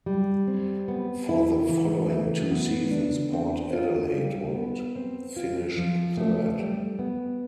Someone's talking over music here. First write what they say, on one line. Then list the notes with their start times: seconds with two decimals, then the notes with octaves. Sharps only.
For the following two seasons Port Adelaide would finish third.
0.06 G3
0.47 C4
0.88 B3
1.29 E4
1.69 E3
2.10 A3
2.51 B3
2.91 D4
3.32 C4
3.73 F4
4.14 G3
4.55 B3
4.96 C4
5.36 F4
5.77 F3
6.17 A3
6.59 G3
6.99 B3